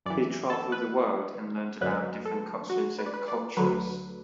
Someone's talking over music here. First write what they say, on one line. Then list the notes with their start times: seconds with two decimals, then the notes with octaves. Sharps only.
He traveled the world and learned about different customs and cultures.
0.06 F#2 E3 D5
0.50 A4
0.72 B4
1.81 F#2 D3 F#3 B4
2.25 A4
2.70 F#4
2.99 B4
3.06 D5
3.14 B4
3.28 D5
3.57 D2 D3 F#3 B4